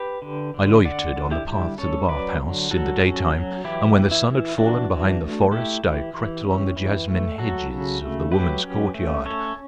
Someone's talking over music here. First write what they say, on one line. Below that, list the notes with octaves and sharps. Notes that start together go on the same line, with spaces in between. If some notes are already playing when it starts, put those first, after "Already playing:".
I loitered on the path to the bath-houses in the daytime, and when the sun had fallen behind the forest I crept along the jasmine hedges of the women's courtyard.
Already playing: G4 B4
D3
D3
D3 D5 F#5
D3
E4 G4
G3
C#4 A4 C#5
F#3 B4 D5
D3
F#3 F#4 A4
C#4
F#3
E3 E4 G4
E3
E4
E3
E3 D4 F#4
E3
A3
A3 E4 G4
E3
E3
C#4
E3
A3
F#3 F#4 A4
C#3
A3
F#3 G4 B4
C#4
A3
C#4 A4 C#5